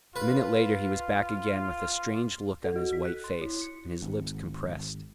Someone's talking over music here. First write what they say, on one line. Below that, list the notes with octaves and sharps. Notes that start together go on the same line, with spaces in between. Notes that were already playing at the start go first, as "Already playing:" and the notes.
A minute later he was back again, with a strange look on his white face, and his lips compressed.
F4 B4
A4
F#4
B6
F#6
C6
E4
C#7
G#1